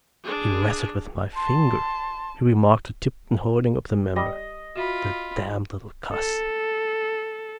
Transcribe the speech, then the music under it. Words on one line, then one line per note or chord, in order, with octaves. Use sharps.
"He rastled with my finger," he remarked to Tipton, holding up the member, "the damned little cuss!"
D4 G#4
A5 C6
G3 D#5
F4 F#4 E5 B5
A4